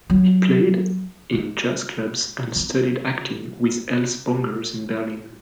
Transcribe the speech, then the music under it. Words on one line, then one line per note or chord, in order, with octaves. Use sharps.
He played in jazz clubs and studied acting with Else Bongers in Berlin.
F#3
G#3
B3